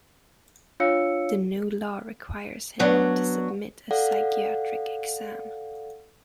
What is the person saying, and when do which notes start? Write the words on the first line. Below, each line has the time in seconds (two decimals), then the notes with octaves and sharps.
The new law requires him to submit to a psychiatric exam.
0.80 D4 F4 C#5 F5 E6 C#7
2.80 F#3 B3 D4
3.91 A4 D5 F5 F#5